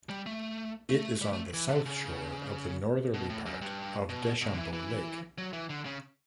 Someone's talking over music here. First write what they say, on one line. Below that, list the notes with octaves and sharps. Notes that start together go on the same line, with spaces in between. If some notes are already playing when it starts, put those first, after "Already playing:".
It is on the south shore of the northerly part of Deschambault Lake.
G3
A3
A3
G3
A3
E3
D3
C#3
B2
A2
F#2
G2
B2
B2
D3
E3
E3
F#3
E3
D3
C#3